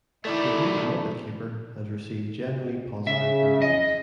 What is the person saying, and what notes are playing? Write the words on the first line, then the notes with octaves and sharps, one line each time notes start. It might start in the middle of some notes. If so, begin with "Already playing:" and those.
"The Great Muppet Caper" has received generally positive reviews.
D#3 A3 E4 A4 D5 D6
C#3 E5
D#5